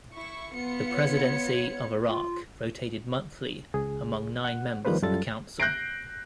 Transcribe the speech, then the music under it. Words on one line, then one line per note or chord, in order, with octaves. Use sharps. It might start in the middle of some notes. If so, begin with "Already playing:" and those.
The presidency of Iraq rotated monthly among nine members of the council.
E4 C#6
B3 F4 C#7
C#5
F4
C#2 G#4
F#5
D#3 F3 G3 A#3 B4 C5
F#2 G3 F4 A4 A6
F#6 G6 A#6 C7 D7